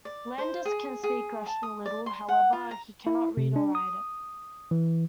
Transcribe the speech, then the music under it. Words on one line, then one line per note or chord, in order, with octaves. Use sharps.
Landers can speak Russian a little; however, he can not read or write it.
D5
C5
G#4
G#4
A5
D#6
D5
C6
F#5
F4
A#5
E4
C3
D4
D#6
E3